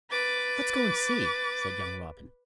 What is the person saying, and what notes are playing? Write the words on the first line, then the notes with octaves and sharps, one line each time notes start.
"Let's go and see," said young Robin.
B4 D6 A6